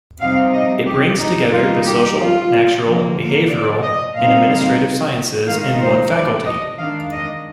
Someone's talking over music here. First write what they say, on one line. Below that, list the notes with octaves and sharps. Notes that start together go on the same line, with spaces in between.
It brings together the social, natural, behavioral, and administrative sciences in one faculty.
C3 G3 C4 D#4 F5
D#5
G4
D#4
D#3 G3 A#3 D#4 F4
G4
F4
D3 F3 A#3
D5
D#5
A#2 G3 C4 D#4 F5
D#3 G#3 D#4 F5
C5
D5
D#5
D#3 G#3 D4 F5
D#5